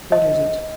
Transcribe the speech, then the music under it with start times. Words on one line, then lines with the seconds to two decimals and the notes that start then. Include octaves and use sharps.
"What is it?"
0.12 D#5